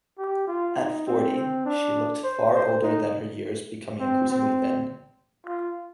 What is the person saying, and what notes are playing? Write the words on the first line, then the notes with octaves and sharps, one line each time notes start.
At forty, she looked far older than her years, becoming increasingly thin.
G4
F4
D#4
C4
C4
D4
C5
C5
D#4
C4
C4
F4